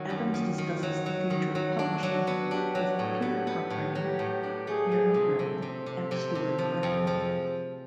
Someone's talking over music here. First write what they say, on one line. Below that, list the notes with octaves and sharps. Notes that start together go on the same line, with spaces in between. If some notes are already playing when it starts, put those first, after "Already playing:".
Adams discusses the future of publishing with Peter Cochrane, Muriel Gray and Stewart Brand.
Already playing: D#3 F#3 F#4
F#2
D#3 F#4
D#3
F#3
F#3
D#3
F#3
D4 F#4
F#3
B3
D4 G4
F#3
F#4
A2
B3 G4
B3
A2
F#3 G4
A2
D4
A3 G#4
F3
C3
C3 A4
C3
C3
C3
C3
F3
F2 G#4
F3